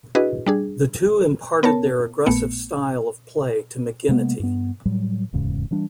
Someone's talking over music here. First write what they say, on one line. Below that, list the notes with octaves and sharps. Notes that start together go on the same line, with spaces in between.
The two imparted their aggressive style of play to McGinnity.
D4 E4 F#4 G#4 B4 D#5
G3 D4 G#4
B3 A#4 C#5 A5
A#1 A#2 A3 B3 C#7
C3 G#3 A#3 B3
G2 B3
A2 F#3 G3
D1 E2 G#2 C#3
E3 G3 D4